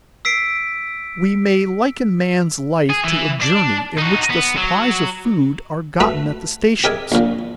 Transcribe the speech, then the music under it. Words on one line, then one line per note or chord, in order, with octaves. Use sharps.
We may liken man's life to a journey in which the supplies of food are gotten at the stations.
E6 B6 C7 D7
G#4
E3
D4
D#4 F#4
B3
F#3
A3 F#4 B4 E5
G4 G#4 A#4 D#5 E5 G#5
A#1 A#2